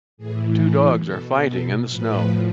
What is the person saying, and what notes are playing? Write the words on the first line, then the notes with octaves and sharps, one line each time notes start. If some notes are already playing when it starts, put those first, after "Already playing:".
Two dogs are fighting in the snow.
A2 E3 G#4
A4
B2 A4
A4
A2 F3 B4